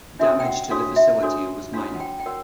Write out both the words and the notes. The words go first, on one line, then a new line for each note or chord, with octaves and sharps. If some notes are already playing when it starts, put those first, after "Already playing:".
Damage to the facility was minor.
D4 F#4 A4 C#5 E5
G5
F#5
D4 F#4 A4 C#5 F5
E5
D4 F#4 A4 C#5
D4 F#4 A4 C#5 F5
F#5
G5
G5
F#4 A#4 C#5 F#5